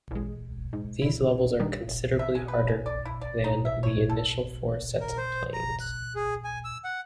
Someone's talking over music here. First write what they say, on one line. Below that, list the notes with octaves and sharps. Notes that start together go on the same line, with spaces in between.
These levels are considerably harder than the initial four sets of planes.
A1 G#3
G#2
E4
D3 D#3 G3
E5
G#3
B4
G#3
D5
E4
D5
D#4
E5
C#5
A4
A#4
C5
A#5
F#6
G#4
G#5
E6
F#5